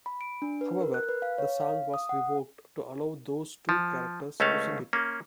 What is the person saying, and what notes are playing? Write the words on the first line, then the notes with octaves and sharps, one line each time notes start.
However, the song was reworked to allow those two characters to sing it.
B5
D7
D4
B4
A#4
F#6
B4
F5
C#5
F5
D#6
F#5
F3
C#2 A3 C#4 C5 F5
A#3 C#4